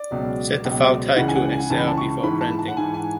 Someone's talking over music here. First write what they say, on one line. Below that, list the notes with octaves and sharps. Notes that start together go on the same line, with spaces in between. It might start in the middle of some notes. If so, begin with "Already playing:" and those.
Set the file type to Excel before printing.
Already playing: D5
C#2 B2 F#3
C#2 B2 F#3
C#2 C#3 E3 F#5
G#5
F#5
G#5
C#2 C#3 E3 A5
B5
A5
C#6
G#2 E3 B5
A5
A5
F#5
G#2 E3 G#5
G#5